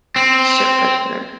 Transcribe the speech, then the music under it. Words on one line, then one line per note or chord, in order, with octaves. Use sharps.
Sh for sure.
C4